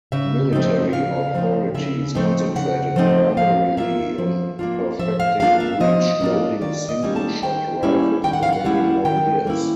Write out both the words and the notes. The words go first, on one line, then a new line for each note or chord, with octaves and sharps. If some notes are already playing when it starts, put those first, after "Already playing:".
Military authorities concentrated primarily on perfecting breech-loading single shot rifles for many more years.
C#3 E5
F3 A3 C4 D#4
C#3 F5
F3 A3 C4 D#4
C#3 E5
F3 A3 C4 D#4
C#3 F#5
F3 A3 C4 D#4
F3 F5
A#3 D4 F4 E5
F3
A#3 D4 F4
F3 E5
F5
A#3 D4 F4 F5
E5
F3 D#5
A#3 D4 F4
D#3 D5
D#5
G3 A#3 C#4 E4
A5
D#3 G5
G3 A#3 C#4 E4
D#3 G5
F#5
F5
F#5
G3 A#3 C#4 E4
D#3 G5
G3 A#3 C#4 E4